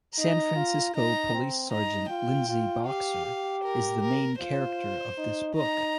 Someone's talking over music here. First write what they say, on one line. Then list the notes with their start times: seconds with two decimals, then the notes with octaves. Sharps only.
San Francisco Police Sergeant Lindsay Boxer is the main character of this book.
0.18 D#4 A#5
0.56 F4
0.95 D#4 A#5
1.33 C4
1.71 D#4 A#5
2.10 F4 G5
2.49 F4
2.87 G4 F5
3.26 G4
3.64 A#4
4.02 A#4
4.40 F4 C5
5.17 D#4
5.56 D#4 A#5